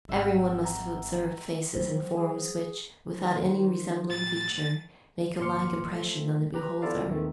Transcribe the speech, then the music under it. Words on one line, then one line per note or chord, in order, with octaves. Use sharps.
Every one must have observed faces and forms which, without any resembling feature, make a like impression on the beholder.
G#1 E5 F#5 G5
A#5
E3 F#3 C5
G#4
D#3 F3 C5
A2 A6
G#1 A#2 C6 D6 F6 C#7
F3 A3
G4 B4 A#5
B3 E4 F4 A4 D5 F5
D#2 A#2 D#3 E3 A3 C4